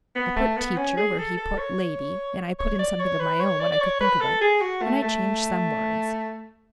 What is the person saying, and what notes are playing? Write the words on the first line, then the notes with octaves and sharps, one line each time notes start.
I put "teacher" where he put "lady" and I put in something of my own when I could think of it and I changed some words.
B3
A3
B3
C#4
G#4
A4
A4
C#5
C#5
D5
C#5
B4
C#5
D5
D5
C#5
B4
A4
G#4
F#4
A3
A3